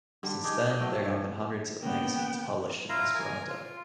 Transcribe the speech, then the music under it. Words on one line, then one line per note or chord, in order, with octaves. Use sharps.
Since then there have been hundreds of magazines published in Esperanto.
D3 G3
D4 D#4 G4 G#4
A#3 D#5
F#3 A3 G5
C3
G2 E3
C#3 A#3 B3 G5
E4 F4 F5 A#5
A#4 G#5 A#5
F4